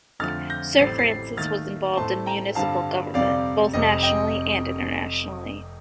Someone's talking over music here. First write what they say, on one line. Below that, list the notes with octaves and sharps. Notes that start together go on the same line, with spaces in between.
Sir Francis was involved in municipal government both nationally and internationally.
F2 D3 F3 A3 F6 A6
G6 A#6
A1 A2 G3 C4 A6 C7
A6 C7
D#2 D#3 A3 F6 A6
A2 A3 C4 A5 C6
G5 A#5
G2 D3 G3 C4 F4 F5 A5
F2 C3 G3 D5 F5
F1 F2 C3 G3 D#5
D#5 G5